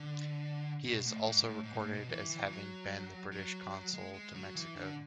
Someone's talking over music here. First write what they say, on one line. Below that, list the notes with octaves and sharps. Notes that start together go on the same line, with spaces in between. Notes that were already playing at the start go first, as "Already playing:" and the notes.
He is also recorded as having been the British consul to Mexico.
Already playing: D3
B2
A2
G#2
A2
G#2
B2
A2
B2
E3
E3
E3
F#3
F#3
G#3
G#3
F#3
E3
D3